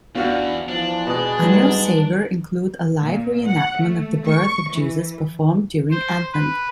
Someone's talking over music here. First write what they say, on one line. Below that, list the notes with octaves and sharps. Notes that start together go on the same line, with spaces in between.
Annual sagre include a live re-enactment of the birth of Jesus performed during Advent.
E2 E3 B3 D4 F4 F#4 F6
E3 F3 D4
B2 G#3 B3 D#6
G#1 F#3 G3 D#4
A#2
F#5
A3
C#6
E3
C5
B4